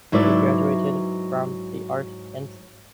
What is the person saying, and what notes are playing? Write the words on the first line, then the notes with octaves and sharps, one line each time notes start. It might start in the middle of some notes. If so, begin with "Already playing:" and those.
He graduated from the Art Inst.
G#2 F#3 E4 B4 D5 E5